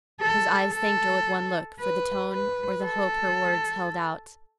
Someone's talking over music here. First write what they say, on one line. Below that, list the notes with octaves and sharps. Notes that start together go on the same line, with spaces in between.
His eyes thanked her with one look for the tone or the hope her words held out.
A4
A4
B4
B4
A4